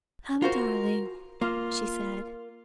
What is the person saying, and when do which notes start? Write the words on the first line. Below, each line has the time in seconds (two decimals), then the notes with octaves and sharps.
"Come, darling," she said.
0.42 F4 F#4 A#4 C5
1.41 A#3 F4